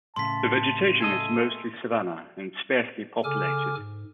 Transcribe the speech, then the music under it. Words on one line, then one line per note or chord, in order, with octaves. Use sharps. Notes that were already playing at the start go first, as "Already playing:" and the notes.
The vegetation is mostly savanna, and is sparsely populated.
A2 C#3 A5 C6 B6
A3 G#4 A4 D#5
C#3 A4 G#5 D6 F6
G#2